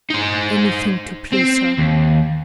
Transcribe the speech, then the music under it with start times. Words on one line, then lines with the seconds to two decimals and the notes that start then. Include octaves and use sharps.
Anything to please her!
0.10 D#4 C5
1.33 C4
1.78 D#2